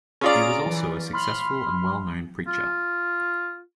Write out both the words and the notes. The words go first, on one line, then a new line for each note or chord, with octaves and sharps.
He was also a successful and well known preacher.
C#4 F4 G#4 D5 A#5 D7
E3
B5 C6 F6
F4